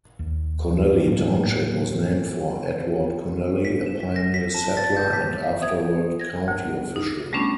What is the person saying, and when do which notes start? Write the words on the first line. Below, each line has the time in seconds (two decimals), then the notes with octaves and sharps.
Connelly Township was named for Edward Connelly, a pioneer settler and afterward county official.
0.19 D#2
1.07 A2 E3 F#3 A#3
3.65 B6
3.86 E7
4.00 B6
4.16 A#6
4.34 B6
4.54 A5
4.77 A6
4.97 G6
5.13 B6
5.61 E5 D#6 G#6
6.20 G#6 A#6
6.48 D2
6.96 D#4
7.33 G3 A3 B3 C#4 D4